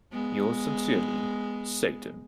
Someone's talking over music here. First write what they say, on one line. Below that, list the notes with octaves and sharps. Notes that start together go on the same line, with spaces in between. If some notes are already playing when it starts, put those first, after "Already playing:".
Yours sincerely, satan.
G#3 B3